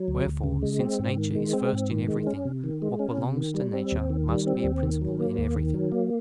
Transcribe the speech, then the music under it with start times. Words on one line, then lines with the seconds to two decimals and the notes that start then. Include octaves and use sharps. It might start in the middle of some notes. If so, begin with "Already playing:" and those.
Wherefore, since nature is first in everything, what belongs to nature must be a principle in everything.
Already playing: F#3
0.08 D2
0.25 D2
0.44 C#3
0.62 G#3
0.80 C4
0.99 G#2
1.17 D#3
1.35 G#3
1.53 C4
1.73 G#2
1.91 D#3
2.08 G#3
2.27 C#4
2.45 C3
2.64 D#3
2.82 G#3
2.99 C#4
3.18 C3
3.37 D#3
3.54 G3
3.73 C4
3.92 D#2
4.10 D#3
4.28 G3
4.46 C4
4.64 D#2
4.83 D#3
5.01 F#3
5.20 A#3
5.38 D#2
5.56 D#3
5.74 F#3
5.92 A#3